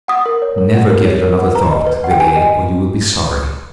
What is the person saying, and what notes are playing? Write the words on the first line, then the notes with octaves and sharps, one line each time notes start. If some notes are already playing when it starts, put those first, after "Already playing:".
Never give it another thought, Villiers, or you will be sorry.
F#5 D#6
A#4
C#5
A#4
F#5
A#4
C#5
A#4
F#5
B4 A#5
D#5
B4
F#5
G5
B4 G#5
D#5